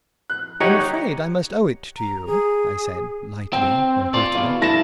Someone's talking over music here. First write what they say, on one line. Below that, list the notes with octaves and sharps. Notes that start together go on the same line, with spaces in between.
"I'm afraid I must owe it to you," I said lightly and brutally.
F#6
D#4 G4 C#5 F#5
A#5
G#4
C4 G5
F4 D5 C6
E2 B2 F5
G2 E4 A5 A#6